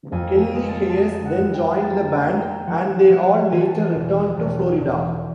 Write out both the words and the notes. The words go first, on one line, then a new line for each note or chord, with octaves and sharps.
Kelly Hayes then joined the band, and they all later returned to Florida.
F2 G#5
G#5
G#3
A5
A5
G#3 G#5
F#5
F2
G5
A#3 A5
G#5
A#3
G5
F3 F#5
F3 F#5
E3 G#5
A5
G#5
E1
E1
E1